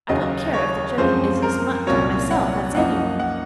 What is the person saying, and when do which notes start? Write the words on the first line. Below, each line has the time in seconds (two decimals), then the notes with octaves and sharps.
I don't care if the joke is as much on myself as any one.
0.09 D#2 C#3 F#3 D#5
0.53 C#5
0.97 F#2 F3 G#3 C4 C5
1.42 A#4
1.87 C2 A#2 F#3 C#4 C#5
2.31 F#5
2.75 F#2 F3 A#3 D#4 F#5
3.20 F#5